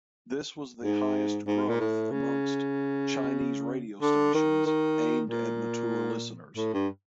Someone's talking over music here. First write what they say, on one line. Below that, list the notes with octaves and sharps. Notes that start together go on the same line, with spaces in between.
This was the highest growth amongst Chinese radio stations aimed at mature listeners.
G#2
G#2
A#2
A2
C#3
D3
D#3
D#3
A#2
A2
G2